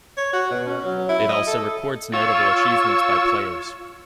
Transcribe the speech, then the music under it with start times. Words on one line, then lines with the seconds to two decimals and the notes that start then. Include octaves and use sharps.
It also records notable achievements by players.
0.18 C#5
0.33 F#4
0.51 B2
0.66 C#4
0.84 F#3
1.09 E4
1.29 D#5
1.47 A4
2.13 F4 C#5 E6